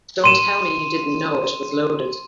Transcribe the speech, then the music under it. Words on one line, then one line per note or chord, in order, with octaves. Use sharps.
Don't tell me you didn't know it was loaded.
C6 D#7 E7